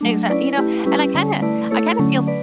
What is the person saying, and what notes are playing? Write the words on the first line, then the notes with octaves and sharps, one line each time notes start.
Exact you know, and I kinda I kinda feel,
F#3 A3 D4
C#4 E4 B4 D5
A3 E4 G4 B4
G3 C#4 E4 G4 B4
D3 G3 C#4
A3 E4 B4 D5
A3 E4 A4 C#5
D3 F#3 A3 C#4
B4 D5